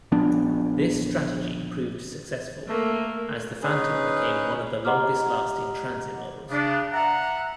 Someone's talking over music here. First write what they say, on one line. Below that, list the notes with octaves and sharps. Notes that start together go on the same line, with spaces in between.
This strategy proved successful, as the Phantom became one of the longest-lasting transit models.
A#1 F3 B3 D4
A3 A#3
C#4 D#4 G#4 B4
G4 D#5 F#5 A#5 D6 F6
C#3 D4
E5 F#5 A#5